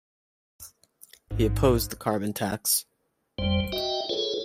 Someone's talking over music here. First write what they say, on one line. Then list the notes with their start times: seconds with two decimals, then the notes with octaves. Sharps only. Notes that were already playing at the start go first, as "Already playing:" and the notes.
He opposed the carbon tax.
1.31 A1 G#2
3.38 G1 F2 G3 C5
3.72 F#4 D#5 E5 G5
4.09 F4 G#4 A4 B4 C#5